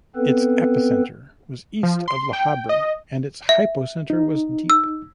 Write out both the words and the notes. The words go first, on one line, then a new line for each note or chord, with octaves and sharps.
Its epicenter was east of La Habra and its hypocenter was deep.
B3 C4 A4 B4
F3
C6
G5
D#5
E5
D#4
E6